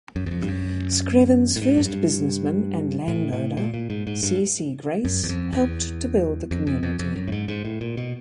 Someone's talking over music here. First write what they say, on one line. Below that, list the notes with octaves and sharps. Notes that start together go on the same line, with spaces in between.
Screven's first businessman and landowner, C. C. Grace helped to build the community.
F#2
E2
F2
G2
F#2
A2
G#2
F#2
G2
A2
A2
A#2
A#2
G#2
G#2
G2
F#2
E2
F2
E2
F2
F2
F2
F2
F#2
A2
G#2
G#2
A2
A#2
B2